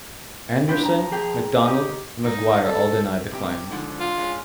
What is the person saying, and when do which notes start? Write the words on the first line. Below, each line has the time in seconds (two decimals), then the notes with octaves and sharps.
Anderson, McDonald and McGuire all denied the claims.
0.68 C#4 D4 F4 G4 B4 G5
0.83 F3 A#5
1.12 G#4 G5
1.65 D#4 G4 D#5
2.25 D#4
2.66 A4
3.31 C3 G4
3.71 G#2 D3 F3
4.00 F4
4.17 G#3 A#3 C#4